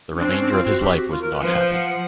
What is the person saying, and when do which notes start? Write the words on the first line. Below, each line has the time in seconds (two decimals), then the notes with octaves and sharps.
The remainder of his life was not happy.
0.15 C#4
0.19 C4 D4
0.31 C#4
0.41 D4
0.51 F4
0.66 F#4
0.81 G4
0.96 F#4
1.11 F4
1.21 A#4
1.32 B4
1.42 F3 B4
1.57 C5
1.72 F#5